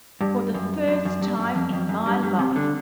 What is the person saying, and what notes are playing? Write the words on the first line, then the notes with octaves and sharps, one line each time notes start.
"For the first time in my life!"
G2
F#2
F#2
F#2
G2
F#2
F2
F2
F#2
G2
G2
C3
D3